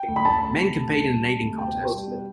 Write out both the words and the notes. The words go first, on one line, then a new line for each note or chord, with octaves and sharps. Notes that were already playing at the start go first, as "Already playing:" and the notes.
Men compete in an eating contest.
Already playing: G5
D2
B5
D2 A5
D2
C3
D2
G3
G3
C3
D2
B2 G5
B2
G3
B2